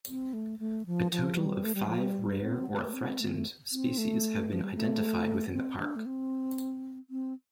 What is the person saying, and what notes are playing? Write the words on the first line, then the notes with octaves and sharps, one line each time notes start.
A total of five rare or threatened species have been identified within the park.
C4
A3
A3
F3
F3
G3
A3
G3
F3
G3
C4
A3
C4
A3
C4
A3
C4
A3
F3
G3
A3
C4
D4
A3
C4
C4